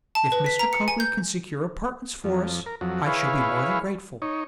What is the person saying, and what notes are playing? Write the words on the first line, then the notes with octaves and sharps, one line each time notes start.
If Mr. Copley can secure apartments for us, I shall be more than grateful.'
A5
B4
B6
A#5
C#7
G#5
G6
F2
A#4
F2 F#3
E4 G#4 B4 C#5 F5
D#4 C#5